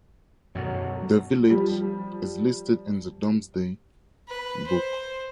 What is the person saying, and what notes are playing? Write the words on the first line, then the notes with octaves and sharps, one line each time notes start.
The village is listed in the Domesday Book.
F#2 B2 D3 F#3
F3 G3
B4
C5